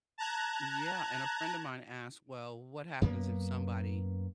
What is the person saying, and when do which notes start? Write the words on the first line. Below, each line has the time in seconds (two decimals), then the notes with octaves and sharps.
Yeah, and a friend of mine asked, "Well, what happens if somebody,
0.18 A5 A#5 F#6 G#6
3.02 F#2 A#3 B3